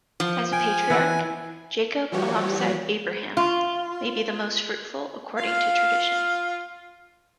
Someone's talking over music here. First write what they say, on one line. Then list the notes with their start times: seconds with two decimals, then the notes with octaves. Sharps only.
As a patriarch, Jacob, alongside Abraham, may be the most fruitful according to tradition.
0.20 F3
0.53 G5 G#5
0.90 E3 E4 F#5
2.12 E3 F3 G3 F#4 G4 C#5
3.37 F4
5.37 F4 F5